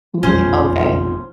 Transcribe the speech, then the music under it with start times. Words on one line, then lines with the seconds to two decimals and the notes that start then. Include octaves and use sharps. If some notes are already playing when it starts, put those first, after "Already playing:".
Me Okay.
0.23 F1 A#1 E2 B2 C#4 F4 C5